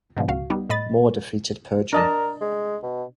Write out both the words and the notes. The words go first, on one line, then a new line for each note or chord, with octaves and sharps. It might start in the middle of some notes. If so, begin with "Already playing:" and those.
Moore defeated Perdue.
G#2 B2 D3 F3
C#2 F#4 F5
G3 B3 D#4
A2 D#5 B5 A6
D4 A#4 D#5 A5
G#3
B2